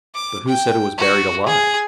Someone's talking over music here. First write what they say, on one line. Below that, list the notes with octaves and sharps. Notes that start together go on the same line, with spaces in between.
"But who said it was buried alive?"
D6
G5
F#4
G#4